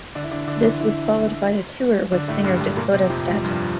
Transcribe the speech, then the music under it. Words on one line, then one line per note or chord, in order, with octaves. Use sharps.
This was followed by a tour with singer Dakota Staton.
D3 D4
E4
D3 D4
D3 D4
E3 E4
E3 E4
D3 D4
A2 A3
G2 G3
G2 G3
A#2 A#3
C3 C4
F2 F3
G3
F3
G2 G3